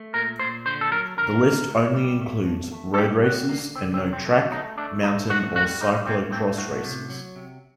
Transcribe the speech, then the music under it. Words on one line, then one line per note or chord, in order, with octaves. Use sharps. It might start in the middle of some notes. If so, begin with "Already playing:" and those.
The list only includes road races, and no track, mountain or cyclo-cross races.
Already playing: A3
A#2 A#4
A#2 C5
D3 C5
A4
F#3 A#4
D3 A#4
A2
A2
G3
A3
A3
A3
A4
G3 G4
D3 F#4
D3 A#3
C3 C4
C4
F#3
C4
A3
D4
A3 D#4
A3 D4
A3 D#4
A2 F#4
G3 F#4
G3 D#4
A2 C4
A3 C4
A2 F#4
C3
F#3
C3